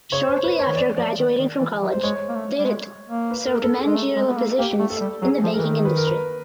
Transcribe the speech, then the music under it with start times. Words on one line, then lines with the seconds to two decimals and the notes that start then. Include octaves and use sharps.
Shortly after graduating from college Dayrit served managerial positions in the banking industry.
0.12 C#3 C#5
0.27 C5
0.44 B4
0.59 C#5
0.67 D#3
0.75 E3 D5
0.97 F3 D5
1.18 D#3
1.39 D#3
1.60 E3
1.82 F#3
1.92 C5
2.03 G#3 C#5
2.29 A#3
2.35 A3
2.58 G3
2.67 G#3
3.09 A#3
3.31 B4
3.46 A#4
3.62 A4
3.78 G#4
3.86 G#3
3.95 A3
4.16 G#3
4.28 B3
4.37 A#3
4.58 A#3 G4
4.79 A3
4.90 A4
5.00 G3
5.22 F#3 G#4
5.43 F3
5.54 A#4
5.58 E3
5.64 D#3
5.85 B4
5.97 A#4
6.07 B4